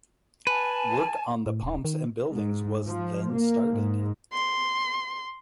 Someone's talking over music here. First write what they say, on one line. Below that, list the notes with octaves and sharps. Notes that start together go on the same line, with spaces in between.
Work on the pumps and buildings was then started.
B4 G#5 A5
A2
D#1
D#3
G#2
F3
A#3
G#2
C6